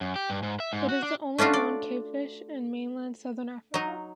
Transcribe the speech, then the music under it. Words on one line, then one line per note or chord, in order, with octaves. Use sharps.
It is the only known cavefish in mainland Southern Africa.
F#2
G4
G2
G#2
E5
G#2
F#4
D4
A3 C#4 D4 F4 F#4
D5
F#3 D#4